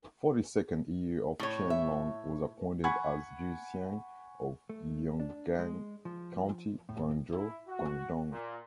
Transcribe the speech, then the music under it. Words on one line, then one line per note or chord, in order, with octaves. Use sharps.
Forty-second year of Qianlong, was appointed as Zhixian of Yongan County, Guangzhou, Guangdong.
A2 C#5
E5
F#5 G#5 B5 C#6 G#6
A3
D4
G#3
F3
A2
E4
F#4
A#2